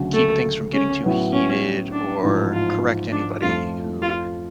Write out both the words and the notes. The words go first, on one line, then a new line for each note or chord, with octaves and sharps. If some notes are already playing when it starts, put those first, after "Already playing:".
keep things from getting too heated or correct anybody who
Already playing: D2 C#3 F#3
A3
C#4
A2 F#3 B3
C#4
D4
A1 G#2 F3
F4
D4
F2 F3 A3 F4
F4